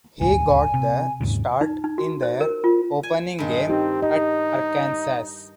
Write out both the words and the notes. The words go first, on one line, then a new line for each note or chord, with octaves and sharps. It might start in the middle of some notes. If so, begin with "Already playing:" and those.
He got the start in their opening game at Arkansas.
D#1 G#1 D2 G#5
C3
D#2 G#2 C#3
D#4
D#4
F#4
C5
A#4
F4
G#5
G2 D#3 G#3
C4 D#4 G4
D#4 D#5